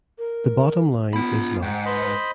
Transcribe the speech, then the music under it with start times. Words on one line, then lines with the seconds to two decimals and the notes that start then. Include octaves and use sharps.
The bottom line is love.
0.19 A#4
1.13 B3 F4 B5
1.62 G#2 F#5 G5
1.86 B4 C5 D#5 B5